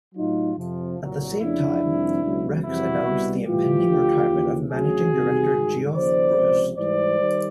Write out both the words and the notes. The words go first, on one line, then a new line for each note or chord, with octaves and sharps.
At the same time, Rex announced the impending retirement of Managing director Geoff Breust.
A2 F#3 D#4 F4
F2 C3 F3
C2 A#2 F#3
F2 C#3 F3 D4 E4
F2 C3 D#3 G3
C#2 B2 F#3
F2 C3 E3 G3 E4 F#4
C2 B2 G3
A2 E3 G3 F4 G4
D2 D3 F3
D#2 C#3 E3
D2 C#3 F#3 F#4 G#4
E2 C3 D#3 G3
G#2 D#3 G3
D#2 C#3 F3 C5 D5
C#2 C3 F3
G#2 E3 G3 C5 D5
D#3 G3